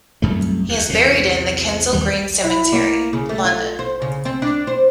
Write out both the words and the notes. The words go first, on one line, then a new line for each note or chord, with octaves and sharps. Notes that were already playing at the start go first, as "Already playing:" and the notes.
He is buried in the Kensal Green Cemetery, London.
C2 F#2 A3
D#2
E2 C3
D#2 G3
E4
A#3
C#3
A3
F4
C5
C#3
C4
D4
C5